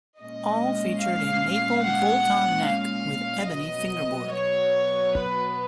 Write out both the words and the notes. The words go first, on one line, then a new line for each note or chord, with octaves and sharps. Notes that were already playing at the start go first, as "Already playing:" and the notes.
All featured a maple bolt-on neck with ebony fingerboard.
A#2 G#3 C#4 D#5
F5
F#5
F5
B2 F#3 B3 D#5
C#5
B4